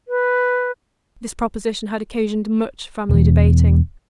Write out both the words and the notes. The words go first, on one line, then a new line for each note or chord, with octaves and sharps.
This proposition had occasioned much family debating.
B4
E1 E2